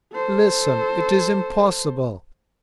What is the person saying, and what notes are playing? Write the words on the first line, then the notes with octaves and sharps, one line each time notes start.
Listen--it is impossible!
A4 C5